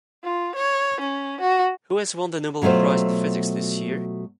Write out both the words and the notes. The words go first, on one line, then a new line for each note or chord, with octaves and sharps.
Who has won the Nobel Prize in Physics this year?
F4
C#5
C#4
F#4
B2 F#3 A3 F4 C5